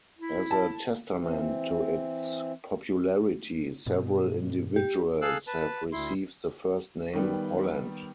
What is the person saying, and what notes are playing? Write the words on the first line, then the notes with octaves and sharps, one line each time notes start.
As a testament to its popularity, several individuals have received the first name "Holland".
E4
A5
E3 C4
G2 B2
G4
G#4 A4 F5 E6 F#6
B4 A5
D2 E4 C6
D#3 G3 B3